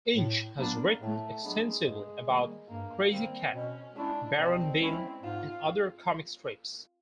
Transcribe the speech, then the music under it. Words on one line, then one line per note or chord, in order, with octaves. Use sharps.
Inge has written extensively about "Krazy Kat", "Baron Bean" and other comic strips.
A2
F#3 A#3 B3 D4
A2 A3
F#3 G#3 B3 D4
G2 G#3
D#3 G3 A#3
G2 A#3
D#3 G3 A#3 C4
B2 C#4
G#3 C#4 D4 E4
B2 C4
G#3 C4 C#4 E4
G#2 F4